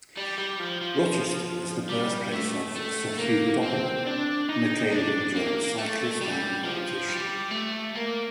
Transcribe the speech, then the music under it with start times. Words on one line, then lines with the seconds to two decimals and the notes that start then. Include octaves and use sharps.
Rochester was the birthplace of Sir Hubert Opperman, an acclaimed endurance cyclist and politician.
0.17 G3
0.38 G3
0.59 F3
0.81 F3
1.89 G3
2.33 A3
2.75 A3
3.19 A#3
3.63 C4
4.06 D4
4.49 D#4
4.91 D4
5.35 A#3
5.78 A3
6.21 G3
6.65 F3
7.09 G3
7.51 A3
7.95 A#3